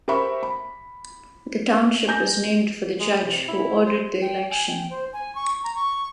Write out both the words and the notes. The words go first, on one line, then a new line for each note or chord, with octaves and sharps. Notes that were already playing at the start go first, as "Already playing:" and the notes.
The township is named for the judge who ordered the election.
G4 A#4 C5 E5 B5 C#6
B5
G#5 G6 A#6
G#3
C3
E4
C5
G5
G#5
G5
C5
G#5
C#6
A#5
C#6